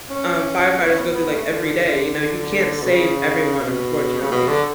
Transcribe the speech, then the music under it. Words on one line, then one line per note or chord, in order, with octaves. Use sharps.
um, firefighters go through like every day, you know, you can't save everyone unfortunately.
C#4
B3
C#4
B3
B3
A3
D3
B2
C#3
B2
C#3
B2
D3